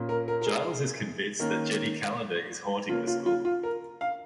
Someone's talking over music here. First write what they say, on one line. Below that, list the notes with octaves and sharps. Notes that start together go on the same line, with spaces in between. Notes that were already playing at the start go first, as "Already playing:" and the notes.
Giles is convinced that Jenny Calendar is haunting the school.
Already playing: A#2 A#3 C#4
A#4
A#4
A#4
G#4
D#3 A#3 C#4 A#4
C#3 A#3 C#4 F4
F4
F4
F4
A#4
F5